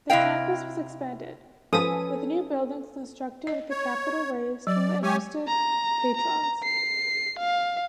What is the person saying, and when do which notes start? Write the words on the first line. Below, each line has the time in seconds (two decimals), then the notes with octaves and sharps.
The campus was expanded, with new buildings constructed with capital raised from interested patrons.
0.10 C3 E4 D#5 F5 G5
1.73 F3 C#4 A4 B4 G#5 D#6
3.47 D#5
3.70 C#5
4.67 F#3 D5
5.03 G#3 G4 C#5 G#5
5.48 A#5
6.17 A#5
6.64 C7
7.39 F5